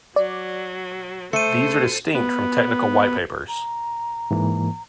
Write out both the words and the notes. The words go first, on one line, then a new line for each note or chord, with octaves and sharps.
These are distinct from technical white papers.
F#3 D5
A3 A4 C5 C#7 D#7
B3
A#5
G#2 E3 A#3